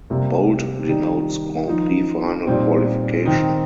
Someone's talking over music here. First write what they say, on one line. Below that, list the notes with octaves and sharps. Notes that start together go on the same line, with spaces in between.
Bold denotes Grand Prix Final qualification.
C3 G3 A#3
D#3 G3 D#4
F3 D#4
A#2 G3 C4 D#4
D#3 C4 D#4